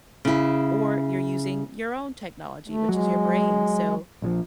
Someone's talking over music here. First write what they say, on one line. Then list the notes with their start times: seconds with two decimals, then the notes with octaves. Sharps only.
or you're using your own technology, which is your brain, so,
0.25 C#3 E4
2.68 A3
2.89 F#3 G#3
4.22 A#1 C#3 F3